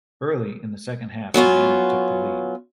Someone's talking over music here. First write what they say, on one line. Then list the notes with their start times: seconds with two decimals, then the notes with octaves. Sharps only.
Early in the second half Miami took the lead.
1.34 F#3 B3 C#4 F4